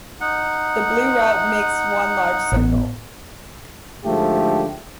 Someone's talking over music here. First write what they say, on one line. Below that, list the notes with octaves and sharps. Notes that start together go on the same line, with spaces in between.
The Blue Route makes one large circle.
D#4 F#5
A1 A2 B3
G#2 D3 F3 A3 G4